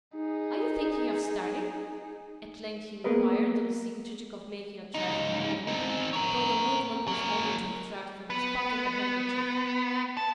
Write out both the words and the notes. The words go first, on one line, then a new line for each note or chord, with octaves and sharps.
"Are you thinking of starting?" at length he inquired, on seeing Chichikov making a trifling movement, though the movement was only to extract from his pocket a handkerchief.
D#4 G#4
A#3 B3 G#4 A#4 B4 D#5
C#2 D#4
C4 D#4
A#4 C#5
F#3 A#3
B3
A5